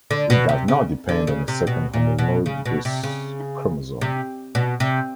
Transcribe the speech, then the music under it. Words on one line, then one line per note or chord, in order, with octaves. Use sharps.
It does not depend on a second homologous chromosome.
D3
B2
C3
C#3
D3
C#3
C3
B2
A#2
B2
C#3
B2
C3
C#3
C3
B2
C3